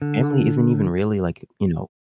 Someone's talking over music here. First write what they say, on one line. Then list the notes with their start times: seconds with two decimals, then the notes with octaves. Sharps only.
family isn't even really like, you know,
0.02 D3